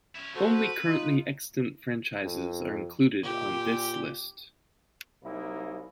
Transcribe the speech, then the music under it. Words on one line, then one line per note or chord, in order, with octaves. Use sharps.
Only currently extant franchises are included on this list.
C#4 E4
C#2 C#4 F#4 A4 C5
B4
D#4 F4
F2
A#2 G4
C2 F#3 A#3 D#4 E4